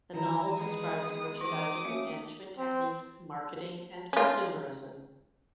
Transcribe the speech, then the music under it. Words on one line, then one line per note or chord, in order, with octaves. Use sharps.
The novel describes merchandising, management techniques, marketing, and consumerism.
D#3 E3 F#3 E4 A#5
G#3 B3 D#6
E3 D6 D#6
A3 A#3 C#4 F#4 E5
C4
C#4 F4